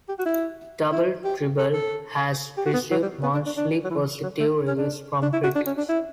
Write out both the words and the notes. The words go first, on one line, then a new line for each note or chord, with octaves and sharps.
"Double Dribble" has received mostly positive reviews from critics.
G4
F#4
E4
E4
G4
A4
A4
G4
F#4
B3
F#3
G3
B3
D4
D4
D4
F#3
E3
F#3
A3
C#4
D4
D4
E4
F#4
D4
C#4
D4
E4